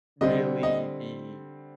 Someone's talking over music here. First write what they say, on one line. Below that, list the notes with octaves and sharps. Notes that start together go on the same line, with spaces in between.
really be
D3 G3 C4 D#5
D#5